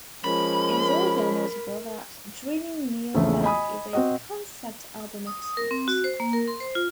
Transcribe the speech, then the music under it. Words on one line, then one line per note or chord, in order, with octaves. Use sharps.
It is also notable that "Dreaming Neon Black" is a concept album of sorts.
F3 G#3 C#4 A#4 B5
A#1 E2 C#3 A3
D#5 G#5 B5 D#6
C4 F#4 D#5
D#6
D#6
A#4
C4
F#4
C5
A#3
A#4
C6
C5
F4